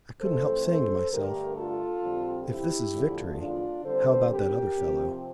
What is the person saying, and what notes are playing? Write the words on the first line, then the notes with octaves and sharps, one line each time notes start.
I couldn't help saying to myself, "If this is victory, how about that other fellow?"
F2 E3 A3 C4 A4 C5
A4 C5
G2 D3 A3 G4 A#4
F4 A4
F2 D3 G3 C4
E4 G4
E2 D3 F3 A3
D4 F4
D3 G3 C4 A4 C5
G4 A#4
C3 F3 C4